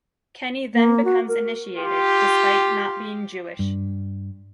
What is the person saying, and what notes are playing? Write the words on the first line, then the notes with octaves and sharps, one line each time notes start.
Kenny then becomes initiated, despite not being Jewish.
A#3
F#4
A#4
F4 G4
G2